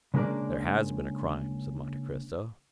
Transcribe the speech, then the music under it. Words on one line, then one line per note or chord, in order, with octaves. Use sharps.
"There has been a crime," said Monte Cristo.
C#3 G#3 A#3 D4 A#4 D5